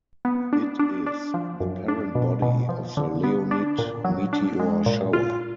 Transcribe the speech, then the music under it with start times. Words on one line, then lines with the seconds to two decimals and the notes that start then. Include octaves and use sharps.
It is the parent body of the Leonid meteor shower.
0.25 B3
0.53 D4
0.79 D4
1.06 D4
1.34 F3
1.60 F#2
1.88 D4
2.15 B2
2.42 B2
2.69 F3
2.97 D3
3.24 B3
3.51 D4
3.78 A#2
4.04 F#3
4.33 D4
4.60 G#3
4.86 A#2
5.13 F4